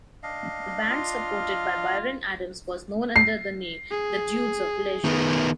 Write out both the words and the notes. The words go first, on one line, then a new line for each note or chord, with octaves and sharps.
The band supported by Bryan Adams was known under the name “The Dudes of Leisure”.
D4 D#5 F5
F4
C7
G#4
D#3 B3